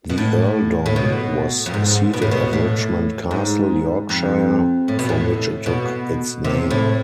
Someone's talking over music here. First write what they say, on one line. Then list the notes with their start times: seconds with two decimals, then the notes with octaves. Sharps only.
The earldom was seated at Richmond Castle, Yorkshire, from which it took its name.
0.10 B2
0.18 A2
0.86 A2
0.96 B2
1.66 F2
1.74 G#2
2.13 B2
2.22 A2
2.31 B2
2.53 A2
3.31 G#2
4.09 F2
4.88 A2
4.99 B2
5.09 A2
5.66 B2
6.44 C3
6.71 A2